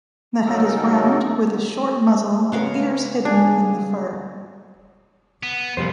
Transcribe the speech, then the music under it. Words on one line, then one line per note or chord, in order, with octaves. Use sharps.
The head is round with a short muzzle and ears hidden in the fur.
C#3 F#3 D#4 A4 A#4
C#3 B3 A#4 F5 F#5
D4 G#4
B3
F2 C3 G3 A#3 C5